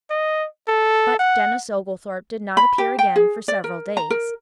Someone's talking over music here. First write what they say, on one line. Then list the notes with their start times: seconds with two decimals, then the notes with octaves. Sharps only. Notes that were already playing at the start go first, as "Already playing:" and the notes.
But Denis Oglethorpe did not appear again for several days.
0.10 D#5
0.68 A4
1.19 F#5
2.57 B5
2.78 G4
2.99 G5
3.16 G#4
3.48 D5
3.64 A#4
3.97 A#5
4.10 A#4